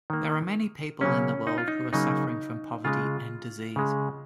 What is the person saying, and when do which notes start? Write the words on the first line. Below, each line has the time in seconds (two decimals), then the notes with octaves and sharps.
There are many people in the world who are suffering from poverty and disease.
0.10 D#3 A#3
1.01 C#3 F#3 A#3 C#4
1.47 D#4
1.58 F4
1.68 D#4
1.93 C#3 F#3 A#3 D#4
2.85 C#3 G#3 F4
3.76 C#3 G#3